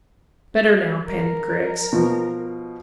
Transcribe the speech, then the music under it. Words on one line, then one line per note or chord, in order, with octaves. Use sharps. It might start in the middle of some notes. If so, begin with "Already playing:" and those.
"Better now," panted Griggs.
A#4
B2 F3